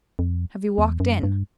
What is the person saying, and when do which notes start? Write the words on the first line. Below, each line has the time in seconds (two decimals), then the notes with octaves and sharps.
Have you walked in!...
0.19 F2
0.78 E2
1.00 F#2
1.23 G2